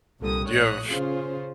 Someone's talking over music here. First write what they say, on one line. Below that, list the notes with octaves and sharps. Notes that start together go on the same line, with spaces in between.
do you have
C2 A#2 D3 G3 D#6
A#1 A2 C#5 D#6 F#6
C#3 C#4 F4 G#4 C5